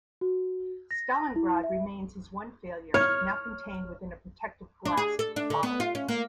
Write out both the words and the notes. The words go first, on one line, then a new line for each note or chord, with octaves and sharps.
Stalingrad remains his one failure, now contained within a protective glass "bottle".
F#4
A#6
E4
E5
C#5 F6
D4
G#4
A4
D4
D3
B3
F4
C#4
A#3